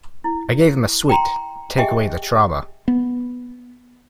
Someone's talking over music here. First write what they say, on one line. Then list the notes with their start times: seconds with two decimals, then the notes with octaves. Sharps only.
I gave him a sweet, to take away the trauma.
0.24 E4
1.09 G5 A#5 C6
1.78 G4 G#4 D#5 E5 G5 G#5
2.88 B3